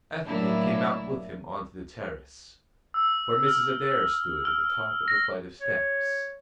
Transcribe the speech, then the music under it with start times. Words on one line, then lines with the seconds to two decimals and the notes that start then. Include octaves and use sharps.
Ethne came out with him on to the terrace, where Mrs. Adair stood at the top of the flight of steps.
0.25 A2 F#3 A#3 D4 E4
2.94 E6
3.47 F6
4.45 F6
5.08 A#6
5.61 C#5